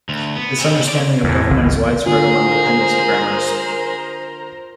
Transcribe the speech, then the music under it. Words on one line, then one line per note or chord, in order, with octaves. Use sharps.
This understanding of government is widespread among dependency grammars.
D2
B3
C#3 C4
C4 D5
E2 A2
G1 C#2 E3
D3 F4 G#4 A#4 C5 A#5